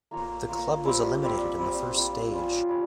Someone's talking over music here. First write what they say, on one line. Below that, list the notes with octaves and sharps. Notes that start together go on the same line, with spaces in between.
The club was eliminated in the first stage.
A#3 F4 A#4 C#5
A#3 F4 A#4 C#5
G3 C4 G4
G3 C4 G4
G3 C4 F4
G3 C4 F4
G3 C#4 F4
G3 C#4